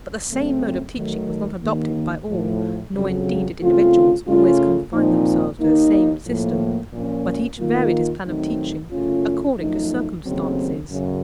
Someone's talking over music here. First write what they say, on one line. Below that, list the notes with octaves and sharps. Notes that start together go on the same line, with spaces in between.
But the same mode of teaching was not adopted by all, nor, indeed, did individuals always confine themselves to the same system, but each varied his plan of teaching according to circumstances.
F#2 C#3 A3 C4
D#3 F#3 A3
D#2 D#3 A#3
A2 F3 A3
F2 C#3 F#3
C#3 A3 C4 F4
C#3 A3 C#4 F4
A#2 F3 C4 D#4
D#2 D#3 A#3 D#4
A2 F3 A#3
A#2 F3 A#3 C#4
D#3 A#3 F4
D#3 F#3 A3 C4 D#4
F#2 C#3 A3 C#4 F4
F#2 F3 A3 D#4
D#2 C#3 F#3 A3 C4
F#2 C#3